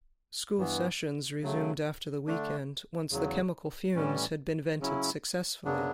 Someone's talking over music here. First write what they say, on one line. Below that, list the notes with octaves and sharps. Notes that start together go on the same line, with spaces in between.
School sessions resumed after the weekend once the chemical fumes had been vented successfully.
G2 E3 B3
C#3 F#3 A3
D3 A3 D4
E2 C#3 F#3
A2 E3 G3 C#4
C#3 F#3 C#4 E4
F#2 C#3 F#3 B3 D4